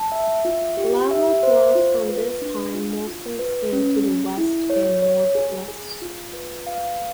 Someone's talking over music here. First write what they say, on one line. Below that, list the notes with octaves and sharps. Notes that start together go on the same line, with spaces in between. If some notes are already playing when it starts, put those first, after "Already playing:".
Lava flows from this time mostly extend to the west and northwest.
Already playing: A5
E5
F4
G4
E5
C5
F4
B4
D4
F4
F4
B4
C#4
G#4
E4
C#5
C#5
G#4
G#4
F4
B4
F5